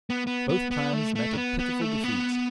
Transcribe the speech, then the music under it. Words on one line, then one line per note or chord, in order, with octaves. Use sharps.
Both plans met a pitiful defeat.
B3
B3
B3
B3
A3
A3
D4
B3
B3
A3
B3